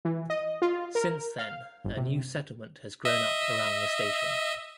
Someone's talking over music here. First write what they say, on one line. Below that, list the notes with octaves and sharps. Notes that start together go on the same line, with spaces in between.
Since then, a new settlement has grown up around the station.
E3
D#5
F4
A#4
F5
G1
C3
D#5 E5